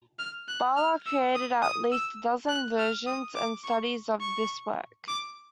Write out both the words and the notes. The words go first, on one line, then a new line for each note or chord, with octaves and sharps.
Balla created at least a dozen versions and studies of this work.
F6
F#6
F6
E6
D#6
D#6
E6
F#6
F6
D#6
D6
C#6
C#6
D6